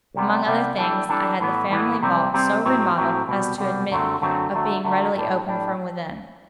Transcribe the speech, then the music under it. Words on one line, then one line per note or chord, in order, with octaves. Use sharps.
Among other things, I had the family vault so remodelled as to admit of being readily opened from within.
C2 C3 G3 B3
C2 C3 G3 B3
E3 G3 D4 A4
E3 G3 D4 A4
A2 E3 B3
A2 E3 B3
C3 G3 C4
C3 G3 C4
A2 F#3 C4
A2 F#3 C4
C2 B2 G3
C2 B2 G3
F#2 D3 F#3 A3 C4
F#2 D3 F#3 A3 C4
D2 D3 F#3 A3
D2 D3 F#3 A3
A2 G3 D4
A2 G3 D4